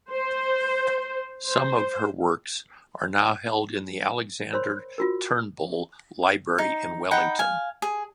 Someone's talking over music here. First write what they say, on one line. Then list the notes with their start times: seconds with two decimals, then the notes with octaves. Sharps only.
Some of her works are now held in the Alexander Turnbull Library in Wellington.
0.10 C5
1.48 C5
4.53 A#4 C5 C#5 B5 C6
4.98 F4 F#4 A#4
6.58 D#4
7.11 D#4 F#5 G5 B5
7.39 F5 G#5
7.82 G#4